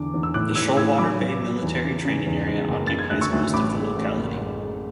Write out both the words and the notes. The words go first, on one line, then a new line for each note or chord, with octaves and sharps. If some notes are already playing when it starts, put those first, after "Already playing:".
The Shoalwater Bay Military Training Area occupies most of the locality.
Already playing: E2 D3 D6
E2
E6
A2 D6 F#6
A2 E6 G#6
A2 E6 G#6
F#3 B5 D6
F#3
F#3
E2
C#3
C#3
E2
G#3
F#1
C#3 A6
G#6
D2 F#6
C#6 E6
D2
A1 B5 D6
G#3
A1
F#1
G#3
G#3